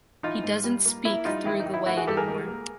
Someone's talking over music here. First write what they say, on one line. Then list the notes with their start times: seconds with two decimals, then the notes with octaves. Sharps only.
He doesn’t speak through the way anymore.
0.23 E3 D#4 F4
0.44 G#2
0.64 G3
0.85 A#3
1.05 A#3 E4
1.25 G3 D#4 F4
1.45 D#3 E4
1.60 D#4
1.66 D#3
1.74 E4
1.86 A3 E4 F#4
1.97 F#4 G#4
2.07 G2 G4 A4
2.17 G#4 A#4
2.28 C#2
2.48 A#3